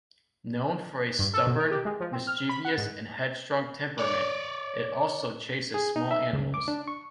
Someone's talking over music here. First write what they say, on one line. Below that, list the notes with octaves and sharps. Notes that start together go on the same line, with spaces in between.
Known for a stubborn, mischievous, and headstrong temperament, it also chases small animals.
G2
A4
B2
A#4
G4
G#3
F3
C4
F6
B5
F#5
G#2
C#5 D5
G#4
D#4
E5
C#2
D6
D4
C#6